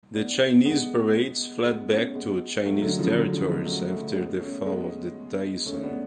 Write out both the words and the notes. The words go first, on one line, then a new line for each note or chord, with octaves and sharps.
The Chinese pirates fled back to Chinese territories after the fall of the Tayson.
B3 D4
G#3 B3
G#3 B3
A3 C#4
G#3 B3
F#3 A3
D3 F#3
C#3 F3
D3 F#3
C#3 F3
F3 G#3
F#3 A3
F#3 A3
C#4
G#3 B3
A3 C#4
G#3 B3
A3 C#4
B3 D4